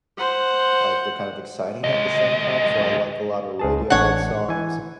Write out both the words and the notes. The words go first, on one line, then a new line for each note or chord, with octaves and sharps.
like, they're kind of exciting at the same time. So, I like a lotta Radiohead songs,
C5 F#5
D2 D#5
C#2 G#4 A5
A1 D4 C#5 F#5
E3 G#5